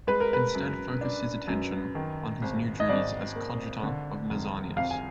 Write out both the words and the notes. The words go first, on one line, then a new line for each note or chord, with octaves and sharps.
He instead focused his attention on his new duties as coadjutor of Nazianzus.
G#3 B4
A#4
B4
F#2
D4
F#2
D#3
G#1
D#5
G#1 D5
A#3
D3
F1
F2 F5
G#5